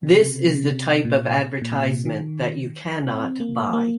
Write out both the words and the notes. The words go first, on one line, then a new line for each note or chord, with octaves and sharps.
This is the type of advertisement that you cannot buy.
C3
C#3
C3
C#3
C3
A#2
A#2
C3
D#3
C4
A#3
A#3